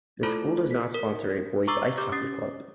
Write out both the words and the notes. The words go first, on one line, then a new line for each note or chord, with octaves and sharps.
The school does not sponsor a boys ice hockey club.
A3 E4 F4 A4 C5 B5
B6
A#4
A#5 C#6 D6 E6 A6 C7
G4 D6 G6
C#4 D#6 A6 C7